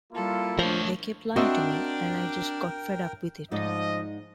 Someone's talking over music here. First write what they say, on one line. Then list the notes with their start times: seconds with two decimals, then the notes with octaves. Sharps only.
They kept lying to me... and I just got fed up with it.
0.13 G3 A#3 E4 F4 A4
0.59 F3 A3 D4 A#4 C#5
1.36 C4 D4 F#4 A#4 D#5 E5 G5
3.51 G#2 F3 D#4 D5 D#5